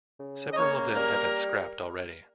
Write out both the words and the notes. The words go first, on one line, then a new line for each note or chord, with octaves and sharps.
Several of them have been scrapped already.
C#3
D#5
A#3 C#5
G3 A#4